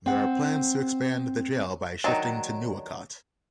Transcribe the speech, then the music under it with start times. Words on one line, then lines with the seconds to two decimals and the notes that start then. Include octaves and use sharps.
There are plans to expand the jail by shifting to Nuwakot.
0.06 C4 F#5
2.04 D#3 F#3 D4